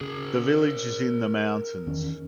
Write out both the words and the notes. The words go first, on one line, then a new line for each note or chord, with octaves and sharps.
The village is in the mountains.
C#3 G#4 A#4
E2 D#3 C#4